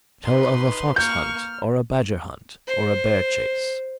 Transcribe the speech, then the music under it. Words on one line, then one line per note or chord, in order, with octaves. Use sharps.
Tell of a fox hunt, or a badger hunt, or a bear chase.
D#4 B4 C6
A#3 C#6 F6 G6
C5